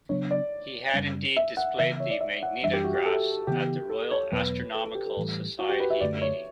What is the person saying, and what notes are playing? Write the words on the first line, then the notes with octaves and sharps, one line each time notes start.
He had indeed displayed the magnetographs at the Royal Astronomical Society meeting.
C#3 F#3 B3 D4 C#5
D5
F#2 C#3 G3 C#4
E5
F#5
C#3 E3 B3 E5
C#5
D5
E5
F#5
F#2 E3 G3 D4 E5
G4
F#4
G4
A4
C#3 E3 B3 G4
A4
C#5
E2 B2 F#3 B3 B4
A4
A4
G4
A4
A2 E3 G3
F#4
G4
B4
E5
F#2 D3 A3 D5
C#5